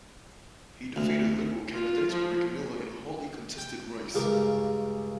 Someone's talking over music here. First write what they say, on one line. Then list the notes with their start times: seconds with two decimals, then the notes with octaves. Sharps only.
He defeated Liberal candidate Rick Miller in a hotly contested race.
0.96 D2
1.73 F4
2.11 F3
3.58 G5
4.14 C#2 G2 C#3 G#4 A#4 D6